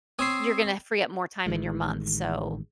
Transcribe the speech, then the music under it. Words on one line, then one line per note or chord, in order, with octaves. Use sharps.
you're gonna free up more time in your month, so,
C4 C#5 D#6 E6 C7
A1 D#3 G#3